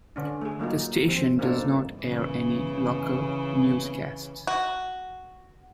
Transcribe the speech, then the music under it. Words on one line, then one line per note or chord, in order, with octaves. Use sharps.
The station does not air any local newscasts.
D3 C#4 D4
A3 G#4
F#3 A#3 D#4 F4
C4
A#3 C4 D4 D#4 F4 A4
C#3 E3
F#4